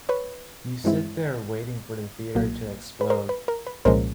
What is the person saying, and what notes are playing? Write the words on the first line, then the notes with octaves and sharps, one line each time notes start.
You sit there waiting for the theatre to explode.
B4 C#5
G2 E3 G#3 C4 E4
B1 A#2 F#3 A#3
B4
A#4 C5
B4
A#4
B4
C2 A#2 F3 G#3 C#4 A#4 C5